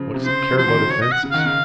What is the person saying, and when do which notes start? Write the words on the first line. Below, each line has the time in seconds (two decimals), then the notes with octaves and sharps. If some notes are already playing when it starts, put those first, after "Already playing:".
What does it care about offences?
Already playing: C#3 F3
0.14 C3
0.25 C#3 C5
0.52 F#3
0.57 F3 C5
0.68 D#3
0.79 C#3
0.90 C#5
1.01 D#5
1.12 F#5
1.23 C#3
1.31 F5
1.34 D#3
1.39 F#5
1.45 C#3
1.48 F5